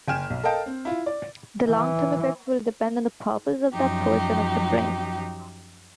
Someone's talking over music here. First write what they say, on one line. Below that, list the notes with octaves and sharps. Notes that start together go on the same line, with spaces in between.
The long-term effects will depend on the purpose of that portion of the brain.
F#1 G5 G#5 F6 E7
B1
A4 A#4 D#5 F5 G5 A5
C4
E4 F4
D5
E3
F#2 F3 F#3 D#4 G4